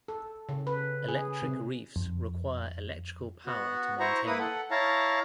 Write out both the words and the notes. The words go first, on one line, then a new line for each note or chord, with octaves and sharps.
Electric reefs require electrical power to maintain them.
A4
C#3
B4
G#4
C3
F2
B3 F#4
E4 C5 A#5 C#6
A#3 E4 B4 D#6
A4 F#5
E4 C#5 F5 A5 A#5